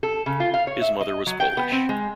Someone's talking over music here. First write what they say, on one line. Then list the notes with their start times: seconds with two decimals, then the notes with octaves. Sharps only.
His mother was Polish.
0.03 A4
0.26 C#3
0.40 F4
0.54 F5
0.67 C#5
0.82 E5
1.01 D#5
1.27 F#3
1.40 G5
1.57 B3
1.72 C4
1.89 G#3